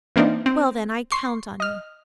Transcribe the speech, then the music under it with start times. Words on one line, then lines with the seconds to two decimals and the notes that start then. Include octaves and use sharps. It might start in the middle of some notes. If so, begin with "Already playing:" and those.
"Well, then, I count on you."
0.16 E3 A#3 C4 D4 D#4
0.46 C4
1.12 C6 C#6 C7
1.60 D#5 F6